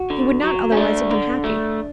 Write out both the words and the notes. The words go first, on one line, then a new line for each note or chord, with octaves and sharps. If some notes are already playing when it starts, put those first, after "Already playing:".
He would not otherwise have been happy.
Already playing: F#4
D3
F#3
C#4
A3 D4
D3
A3